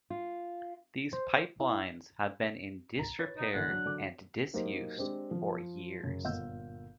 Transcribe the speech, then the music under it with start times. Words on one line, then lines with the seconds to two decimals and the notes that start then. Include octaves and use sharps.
These pipelines have been in disrepair and disuse for years.
0.10 F4
1.13 C5
1.60 E4
2.99 A#5
3.19 B4 C#5 A6
3.37 D#4
3.54 A#1 D3 E3 F#5
3.69 F#3 D4
3.85 D3 F#3 D6
4.53 F#3 A#3 D#4 G4 C5
4.97 G#3 C4 D4 G4
5.31 F3
6.03 F#2 C#3
6.24 G1 A#2 F5 F#5 E6 G6